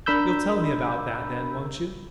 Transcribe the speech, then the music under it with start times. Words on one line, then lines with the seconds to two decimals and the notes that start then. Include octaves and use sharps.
"You'll tell me about that, then--won't you?"
0.06 D4 A#4 B5 E6 G6